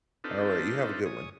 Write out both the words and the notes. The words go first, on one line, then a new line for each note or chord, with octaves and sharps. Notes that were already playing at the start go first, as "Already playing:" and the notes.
Alright, you have a good one.
C4 D4 D#4 F4 A4 B4
C#5 G#5 D#6